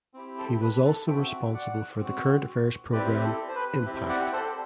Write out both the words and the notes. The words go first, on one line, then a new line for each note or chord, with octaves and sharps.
He was also responsible for the current affairs program "Impact".
C4 E4 G4
A4 C5
B4
A4
C4 F#4 E5 G5
D5 F#5
C4 F#4
C4 E4 G4 B4 D5
A4
C5
B4
C4 E4 G4
D5 F#5
A4 C5